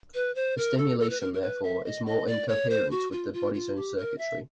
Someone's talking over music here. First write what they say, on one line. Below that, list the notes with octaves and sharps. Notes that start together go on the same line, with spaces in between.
The stimulation therefore is more in coherence with the body's own circuitry.
B4
C5
A#4
A4
A4
B4
A#4
A#4
B4
E5
D#5
D#5
D5
C#5
C5
F#4
F4
F4
F4
G4
A#4
E5